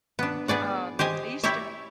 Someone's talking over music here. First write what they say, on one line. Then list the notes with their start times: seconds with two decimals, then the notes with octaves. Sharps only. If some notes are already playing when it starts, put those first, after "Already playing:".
um, I used to
0.19 B3 D4
0.48 B3 G#4 D5 F#5
0.99 G4 C5 D#5 G#5
1.44 E4 G4 C#5 D5 E5